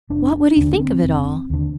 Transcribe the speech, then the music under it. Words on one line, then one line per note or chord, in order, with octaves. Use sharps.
What would he think of it all!
F1 D4
D4
D#2 D3 D4
B3
C4
F1
D#2 D3